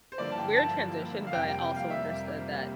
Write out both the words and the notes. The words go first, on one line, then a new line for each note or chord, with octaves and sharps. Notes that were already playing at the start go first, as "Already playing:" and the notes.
weird transition, but I also understood that
C5
G2 D3 F3 A#3 E4 D5
A5
G5
A5
F5
F2 C3 G3 A#3 G5
G5
F5
E5